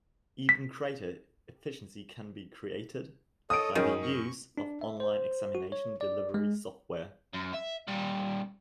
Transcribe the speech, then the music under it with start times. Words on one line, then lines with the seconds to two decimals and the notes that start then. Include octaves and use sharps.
Even greater efficiency can be created by the use of online examination delivery software.
0.49 B6
3.50 A4 C#5 D#5 D#6 D7
3.75 F#2 D#3 C#4 G#4
4.02 C#6
4.58 D4
4.81 E5
5.00 C5
5.55 F#4
5.72 C#5
6.01 D5
6.34 G#3
7.34 F#2
7.54 E5
7.88 A#2 G3